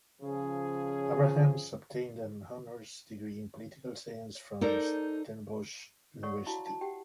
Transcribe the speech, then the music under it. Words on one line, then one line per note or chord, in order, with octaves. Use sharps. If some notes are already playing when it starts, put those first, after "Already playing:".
Abrahams obtained an honours degree in political science from Stellenbosch University.
C#3 F3 G#4
D#4 A4 A#4 C5 D5
A4 C#5 D5 F5 F#5 C#6
E4 F#4 F5 A5 C6
A5
G4 F#5 G5